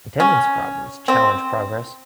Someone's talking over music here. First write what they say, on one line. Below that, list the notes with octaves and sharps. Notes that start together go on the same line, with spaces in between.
Attendance problems challenge progress.
C#4
C4